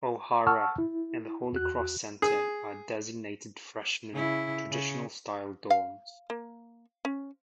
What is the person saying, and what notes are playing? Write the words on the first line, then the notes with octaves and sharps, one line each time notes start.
O'Hara and The Holy Cross Center are designated freshman traditional-style dorms.
F#5 A5 C#6 E6 F6
E4
E2 F#4 F#6
G#4
C#3 E4
C#3
F5
A#3
C#4